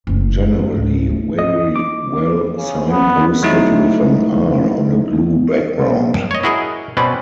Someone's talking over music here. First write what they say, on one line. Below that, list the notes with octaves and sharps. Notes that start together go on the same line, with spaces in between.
Generally very well signposted with an 'R' on a blue background.
F#1 A2
E4
C#2 G#2
A3
D#5
D6
C#3
B3
F#3 A3 D#4 E4
C#5 D#5
E4 F#4 G#4 A#4 D#5
B2 C4 C#4 B4 D5